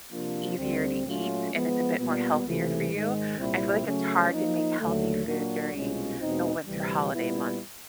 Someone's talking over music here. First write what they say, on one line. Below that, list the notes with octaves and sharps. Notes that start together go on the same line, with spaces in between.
easier to eat, and it's a bit more healthier for you. I feel like it's hard to make healthy food during the winter holiday months.
C3 F3 A#3 D4 F4
D2 D3 G3 C4
A#2 F#3 A3 C#4 F4
F3 G#3 B3
A#2 G3 B3
C#2 C3 E3 A3
G#2 D#3 G#3
C2 A#2 G3 C4 E4
C#3 F#3 A3 C#4
F3 A#3 D#4
D#2 D3 F#3 A3
A#2 F#3 A#3 D4 F#4
C2 B2 G#3 C#4 F4
E2 B2 G#3 C4 D#4
D2 C3 E3 G3
A#2 G3 B3 E4